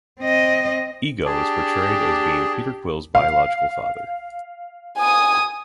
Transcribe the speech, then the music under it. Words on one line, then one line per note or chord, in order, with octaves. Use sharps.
Ego is portrayed as being Peter Quill's biological father.
C4 D#5
D4 G4 G#4 A5
F5
G#5 D#6